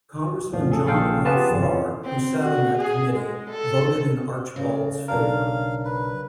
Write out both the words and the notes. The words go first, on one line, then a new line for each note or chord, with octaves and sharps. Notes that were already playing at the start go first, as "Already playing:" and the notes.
Congressman, John R. Farr, who sat on that committee, voted in Archbald's favor.
E2 A2 F3
G#4 A4
A#1 A#2 G#4 A4 F5 G5
B3 F4 G4 G#4 B4 A5
G1 F2
E3 C4 C#4 F4
C4
F#4
G#4
G#3
A4
C#3 D5
B1 D4 A#4 F5
B4